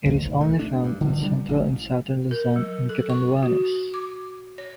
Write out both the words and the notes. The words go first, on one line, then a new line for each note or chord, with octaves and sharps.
It is only found in Central and Southern Luzon and Catanduanes.
D2
B1
A3
D4
G2
D3
G3
A1
A#4
F#3
A4
C#6
F#4
D6
C#5